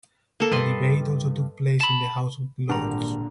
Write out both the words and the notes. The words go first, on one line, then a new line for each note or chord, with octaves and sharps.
A debate also took place in the House of Lords.
A#3 A4
G2 B4 D#5 C6
A5 B5
G#1 A#2 D3 G3 D4 F#5 A#5